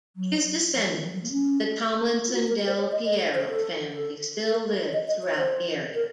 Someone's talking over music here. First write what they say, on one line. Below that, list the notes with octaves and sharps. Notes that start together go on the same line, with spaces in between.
His descendants, the Tomlinson-Del Piero Family, still live throughout the area.
F#3
F3
D#3
F3
F#3
A#3
C#4
F4
F#4
A#4
C5
C#5
D#5
D#5
C5
A4
A4
A#4
C#5
D#5
D#5
C#5
C5
A#4